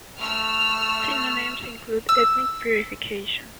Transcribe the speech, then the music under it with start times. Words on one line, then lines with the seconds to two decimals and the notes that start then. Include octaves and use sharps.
Synonyms include "ethnic purification".
0.21 A3 E6 F6
2.09 E6